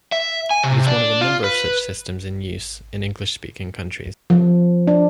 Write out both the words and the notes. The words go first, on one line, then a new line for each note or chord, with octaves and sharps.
It is one of a number of such systems in use in English-speaking countries.
E5
G#5
C3
D4
F4
B4
F3
D4